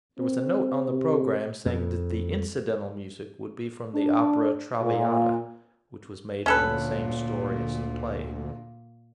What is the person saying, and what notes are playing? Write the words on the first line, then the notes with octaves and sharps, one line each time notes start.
There was a note on the programme, saying that the "incidental music" would be from the opera "Traviata," which was made from the same story as the play.
C4
C3
F2
D4
A#2
D2 A#2 C#4 A4 B4